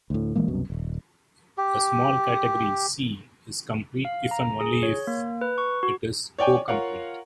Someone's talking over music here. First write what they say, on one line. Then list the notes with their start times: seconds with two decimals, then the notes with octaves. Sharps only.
A small category "C" is complete if and only if it is cocomplete.
0.10 D2 A2
0.35 B1 E3 G#3 A#3
0.48 C2 F#2 B2
0.70 D#1
1.58 G4
4.05 F5
4.31 A#5
4.61 G#4
4.83 C#5
5.07 A#3
5.41 B4
5.58 C#6
5.83 F#4
6.38 C#5 D5 G5 G#5
6.68 F4 A#4 C#5 F5 F#5